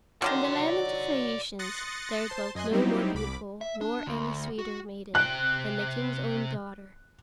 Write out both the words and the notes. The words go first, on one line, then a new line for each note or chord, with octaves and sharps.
In the land of the Phaeacians there dwelt no more beautiful, nor any sweeter maiden, than the King's own daughter.
B2 D3 D#3 F#3 D5 C6
C6 D#6 F#6 A6 A#6 C#7
C5 A5 C6
F#2 D#5 G#5 C6 F#6
F#3 G3 C4 D#4 E4 G4
C2 B5 D6
E5
D4
D2
F#4
C3 G5 F#6